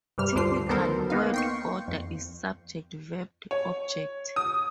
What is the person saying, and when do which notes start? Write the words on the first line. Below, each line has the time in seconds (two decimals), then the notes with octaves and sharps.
Typical word order is subject-verb-object.
0.18 G2 C3 G3 F6
0.35 D2 G2 D4 F4 C5 C7
0.69 D2 D#3 B3 A4 A#4 C5
1.10 A#3 B3 D#4 F5
1.34 G5 C6 C#6
1.88 F2
3.51 C#5
4.36 D#6